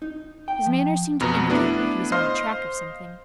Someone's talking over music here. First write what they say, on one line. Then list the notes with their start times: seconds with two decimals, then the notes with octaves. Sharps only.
His manner seemed to indicate that he was on the track of something.
0.02 D#4
0.48 G5
0.66 F3
1.20 F2 B2 A#5
1.49 A3 B3 D4 E4
2.12 C5 D#5 F5 C6 F6